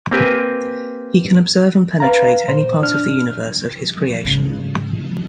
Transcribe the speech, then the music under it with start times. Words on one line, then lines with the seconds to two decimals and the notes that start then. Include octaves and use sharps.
He can observe and penetrate any part of the universe of His creation.
0.11 A#3 C4 G4 B4 G#5
2.00 B4 F5 A#5
2.48 A#2 C5
2.82 D4 F6
4.25 G#2 C#3